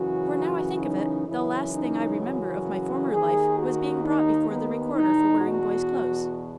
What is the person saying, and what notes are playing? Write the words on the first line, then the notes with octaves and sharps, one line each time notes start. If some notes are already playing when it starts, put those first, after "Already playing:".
For, now I think of it, the last thing I remember of my former life was being brought before the recorder for wearing boy's clothes.
Already playing: F#2 C#3 E3 F#4
D#4
F#2 C#3 E3 E4
D#4
F#4
D#2 D#3 G#4
F#4
D#4
B3
E2 B2 D#4
F#4